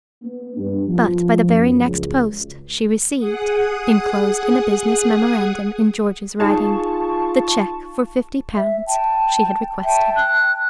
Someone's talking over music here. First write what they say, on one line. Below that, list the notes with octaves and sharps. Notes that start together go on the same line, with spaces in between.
But by the very next post she received, inclosed in a business memorandum in George's writing, the check for fifty pounds she had requested.
B3
G2
F3
F#2
C#2
G#4 F#5 D#6
D#4 F4 G#4 A5 C#6
E5
G5 A5
E5 G5 A5
F#6